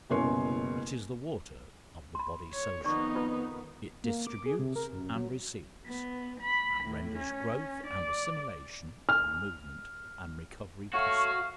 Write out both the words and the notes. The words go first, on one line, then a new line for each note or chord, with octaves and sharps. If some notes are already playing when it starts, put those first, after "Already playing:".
It is the water of the body social, it distributes and receives, and renders growth and assimilation and movement and recovery possible.
F#1 C2 B2 C#4 C#5 C6
B5 C6
C#5
F2 D#3 B3 D#4 D5 C#6
F4 B4
A#3
D6
G#4
C3
A#4
F#2
F#3
B3
B5
A2
C#4
D5
F6
A3 F#4 C#5 F5